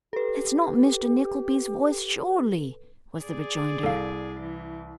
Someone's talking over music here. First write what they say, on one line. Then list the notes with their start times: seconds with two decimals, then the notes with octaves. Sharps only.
'That's not Mr Nickleby's voice, surely?' was the rejoinder.
0.13 G4 A4 B4
3.19 G#4 D5
3.83 C2 A4 F5
4.40 E3